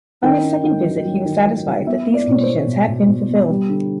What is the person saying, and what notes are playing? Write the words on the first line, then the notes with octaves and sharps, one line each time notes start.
On his second visit he was satisfied that these conditions had been fulfilled.
D#3 G5
C#4
D#3
F#3
F#3
D#3
F#3
F#3
B3 E5
B3
D5
B2
C#5
C5
B3
B2
B2
B2
B3
G3
D3